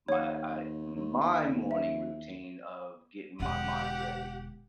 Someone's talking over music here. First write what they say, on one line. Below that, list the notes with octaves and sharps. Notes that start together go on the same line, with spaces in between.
my I my morning routine of getting my mind ready,
D#2 C#5 F#5
D#2
E5
E1 D3 G4 F#5